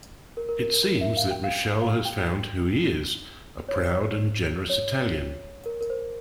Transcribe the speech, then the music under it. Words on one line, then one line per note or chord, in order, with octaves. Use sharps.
It seems that Michele has found who he is, a proud and generous Italian.
A#4
A#4
A#4
A#4
E5
F5
G5
F5
F5
G5
C#5
C5
C#5
A#4
A#4
C5